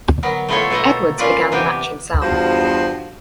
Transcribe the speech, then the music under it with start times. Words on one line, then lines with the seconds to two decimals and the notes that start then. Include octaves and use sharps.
Edwards began the match himself.
0.23 F#3 B3 A#4
0.49 A3 B3 E4 F4 A4 C#5
0.70 B2 A3 B3 A4 A#5
1.18 A#3 C#4 F4 B4 D5
1.52 C3 E3 B3 G4
2.22 E2 G2 F3 F#4 C5